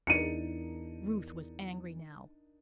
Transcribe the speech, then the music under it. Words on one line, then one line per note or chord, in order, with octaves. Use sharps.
Ruth was angry now.
E2 D4 D#4 A#4 C#7 D#7